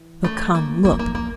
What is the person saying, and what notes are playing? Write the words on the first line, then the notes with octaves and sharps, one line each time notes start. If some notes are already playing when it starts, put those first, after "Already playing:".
But, come--look!
Already playing: E3
A3
A#3
E3 A#3
F3
E3 A#3
F3
E3 A#3